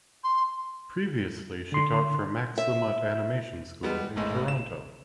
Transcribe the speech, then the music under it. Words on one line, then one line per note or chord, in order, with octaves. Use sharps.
Previously she taught for Max the Mutt Animation School in Toronto.
C6
D3 C6
E5
G3 G#3 B3
G#1 A2 G#3
E7